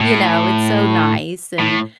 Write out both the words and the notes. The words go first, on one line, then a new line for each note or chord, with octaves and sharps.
you know, it's so nice, and,
A2
A2